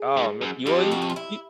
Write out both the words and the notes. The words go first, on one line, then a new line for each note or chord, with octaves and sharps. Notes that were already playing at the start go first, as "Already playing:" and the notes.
Oh ma well, you you
Already playing: G#4
G#2
F#2
F2 G4
F#4
F#4
F4
E4